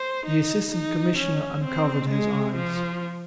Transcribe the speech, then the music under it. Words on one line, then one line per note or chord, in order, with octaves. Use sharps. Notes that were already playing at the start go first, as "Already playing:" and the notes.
The Assistant Commissioner uncovered his eyes.
Already playing: C5
D#4
D#4
C#4
C4
G#3
F3